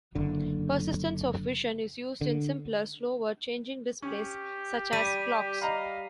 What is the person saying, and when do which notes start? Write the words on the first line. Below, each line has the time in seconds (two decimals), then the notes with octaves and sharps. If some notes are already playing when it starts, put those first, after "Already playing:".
Persistence of vision is used in simpler, slower changing displays such as clocks.
0.15 F#1 D3
2.21 D3
4.02 C#4 G4
4.93 G3 B6 D#7
5.61 D#5 F5 A#5 B5